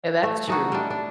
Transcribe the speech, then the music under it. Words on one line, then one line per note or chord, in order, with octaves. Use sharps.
and that's true.
A3
E3 D#4 F#4
G3 D4
D4